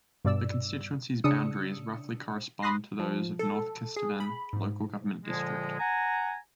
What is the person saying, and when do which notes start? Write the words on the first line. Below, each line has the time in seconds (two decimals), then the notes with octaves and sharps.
The constituency's boundaries roughly correspond to those of North Kesteven local government district.
0.24 G2 B2 D5 E6
1.24 C#3 D4 D#6 E6 C#7
2.62 B5 C6 D#6 F#6 A#6 C7
3.00 F3
3.39 A4
3.96 G#4
4.20 B5
4.53 G#2
5.24 A#2 D3 F3 G#3
5.79 F#5 G#5 A#5